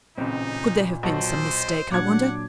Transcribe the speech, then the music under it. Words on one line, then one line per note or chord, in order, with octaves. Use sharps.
Could there have been some mistake, I wonder?
A1 A#2 C#3 C4 D#4
B1 F#4 C5 A5
A#2 F#3 D4 F#5 D6 G#6